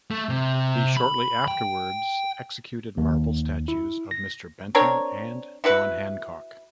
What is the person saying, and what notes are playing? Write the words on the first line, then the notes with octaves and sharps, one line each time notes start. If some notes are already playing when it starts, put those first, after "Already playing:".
He shortly afterwards executed marble statues of Mister Benton and John Hancock.
A3
C3
B5
G5
D#2
E4
A#6
C4 D4 A#4 C#5
E4 F#4 B4